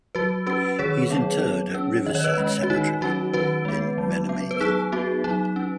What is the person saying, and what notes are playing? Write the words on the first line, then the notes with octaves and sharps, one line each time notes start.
He is interred at Riverside Cemetery in Menominee.
F#3 F#4 B4
C#4 F#4 B4
D#3 G#4 C#5
F#3 B3
F#3
C#4
D#3 D#5
C#5
B4 D#5
G#3 C#4
F#4
D#3 D#4
F#3 C#4 F#4
D#3 F#4 B4
G#3 B3
F#3
B3
B4
F#3 D#4 G#4
B3 F#4
F#3 D#4
C#4